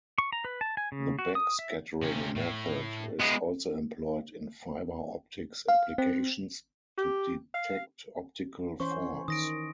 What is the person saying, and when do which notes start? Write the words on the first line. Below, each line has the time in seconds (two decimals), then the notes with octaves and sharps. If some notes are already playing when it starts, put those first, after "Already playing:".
The backscattering method is also employed in fiber optics applications to detect optical faults.
0.18 C#6
0.32 A#5
0.45 B4
0.61 A5
0.77 G#5
0.92 C#3
1.19 F#4
1.35 D#6
1.59 E5
2.03 C3 C#4
2.36 A2
3.20 G#3 B3
5.68 F5
5.98 C4
6.97 G4
7.54 F5
8.80 E3 C#4 C5 C6 C#6
9.28 D#3 D#6 A#6 D7